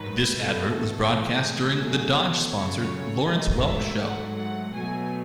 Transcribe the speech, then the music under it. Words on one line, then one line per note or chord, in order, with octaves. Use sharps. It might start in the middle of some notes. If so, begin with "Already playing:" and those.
This advert was broadcast during the Dodge-sponsored "Lawrence Welk Show".
Already playing: G#2 D#3 F#3 B4
B2 A3
A4
A2 E3 G#3
G#4
B2 F#3 A3 G#4
A4
F#2 C#3 F#3 A3 C#5
G#2 D#3 F#3 A3 D#5
E5
G#2 F#3 A3 F#5
F#5
B2 F#3 A3 G#5